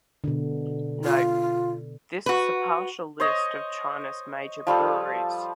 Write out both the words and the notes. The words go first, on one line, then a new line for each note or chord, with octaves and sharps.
Note: This is a partial list of China's major breweries.
B2 D3
F4
F#4 B4
C5 C#5 D#5
F3 G3 F4 A4